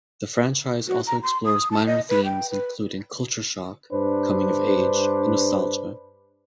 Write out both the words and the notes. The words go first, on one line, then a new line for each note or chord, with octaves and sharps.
The franchise also explores minor themes including culture shock, coming of age, and nostalgia.
F#4
A#5
C6
D#6
A5
D#5
B4
G5
B4
G2 D4 B4 C5